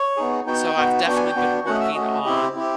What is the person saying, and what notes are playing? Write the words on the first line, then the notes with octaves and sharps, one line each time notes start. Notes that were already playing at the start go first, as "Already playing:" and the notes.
So I've definitely been working on
Already playing: C#5
B3 D#4 G#4
B3 D#4 F#4 G5
B3 D#4 F#4
B3 D4 F#4 G5
G#5
G5
B3 D4 F#4
A3 C#4 F#4 F#5
D#5
E5
A3 C#4 F#4 D#5
C4 E4 G4
C4 E4 G4